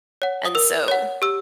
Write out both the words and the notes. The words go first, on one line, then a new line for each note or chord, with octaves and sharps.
and so,
C#5 F#5
D#6
A#4 E6
C#5 F#5
G4 E6